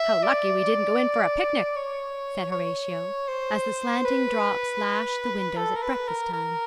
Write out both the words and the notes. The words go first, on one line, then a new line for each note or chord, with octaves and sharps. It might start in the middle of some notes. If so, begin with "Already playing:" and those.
'How lucky we didn't go in for a picnic!' said Horatio, as the slanting drops lashed the windows at breakfast time.
Already playing: E5
D5
C#5
C#5
C5
B4
A4
A#4
B4
A#4
A#4